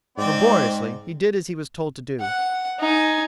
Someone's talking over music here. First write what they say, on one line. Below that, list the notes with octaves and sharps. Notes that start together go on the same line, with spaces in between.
Laboriously, he did as he was told to do.
G#2 C4 D5
F#5
D#4 G#5